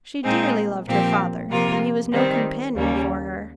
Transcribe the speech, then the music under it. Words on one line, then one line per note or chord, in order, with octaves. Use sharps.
She dearly loved her father, but he was no companion for her.
A#2 G#3 C4 D#4 G#4
A#2 F3 C4 G4 A#4
C3 F3 A#3 F4 A#4
D#3 G3 C4 D#4
D#2 C#3 G3 A#3 C#4